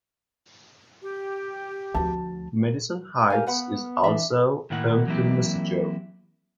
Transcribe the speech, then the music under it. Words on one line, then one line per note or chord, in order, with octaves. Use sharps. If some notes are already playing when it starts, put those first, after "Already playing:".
Madison Heights is also home to Moosejaw.
G4
D2 F3 F#4 A5
G4 A#4 F5 G#5
B3 B4 F#5 B5
E3 D4 E5
A2 D#3 A#3 E4 F#5
E3 F#3 A#3 C4 E4 G4